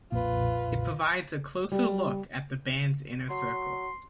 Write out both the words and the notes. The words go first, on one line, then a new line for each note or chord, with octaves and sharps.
It provides a "closer look at the band's inner circle".
B1 F2 A#2 F4 B4
G3
F#3 C6